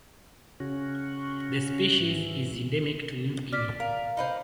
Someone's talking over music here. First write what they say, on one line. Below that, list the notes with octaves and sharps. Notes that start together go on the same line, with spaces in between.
The species is endemic to New Guinea.
C#3 C#4 F#4
G#2 E3
D5 F6 B6
A#4 F5
D#4 B4 C5